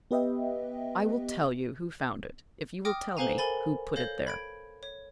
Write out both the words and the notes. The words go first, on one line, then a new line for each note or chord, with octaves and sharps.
"I will tell you who found it, if you will tell me who put it there."
B3 G4 B4 D#5 E5 G5
G5 D6 D#6 F6 A#6
A4 B4 C5 F5 G#5 A#5
A4 A#4 G#5 B5 A6
A4 C#5 F5 G6 A#6
B5 G#6 D7
C#5